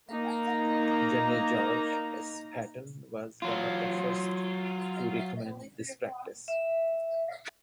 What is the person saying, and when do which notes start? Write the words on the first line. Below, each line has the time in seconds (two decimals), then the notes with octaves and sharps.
General George S. Patton was one of the first to recommend this practice.
0.10 A#3 D#4 A#5
3.42 F#3 F4
6.48 E5